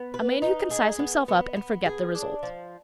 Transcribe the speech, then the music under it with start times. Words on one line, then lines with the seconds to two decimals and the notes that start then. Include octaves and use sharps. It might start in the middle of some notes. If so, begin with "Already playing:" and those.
A man who can size himself up and forget the result.
Already playing: B3
0.14 B4
0.42 D#4
0.71 G#4
0.99 B3
1.28 B3
1.56 B3
1.86 G#4
2.15 D4
2.43 F3